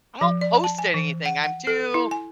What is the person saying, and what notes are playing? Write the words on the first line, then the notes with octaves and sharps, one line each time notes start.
I don't post anything, I'm too
F3
D5
A5
G#5
E3
F#5
F#5
A4
E4
G#5